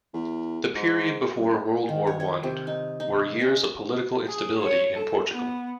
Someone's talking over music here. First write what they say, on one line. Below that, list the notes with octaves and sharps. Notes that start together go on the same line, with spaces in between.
The period before World War One, were years of political instability in Portugal.
E2
G#2
F#1
D#3
C#5
C#5
C3
D#4
D#4
C#4
G#4
C#5
A4
B3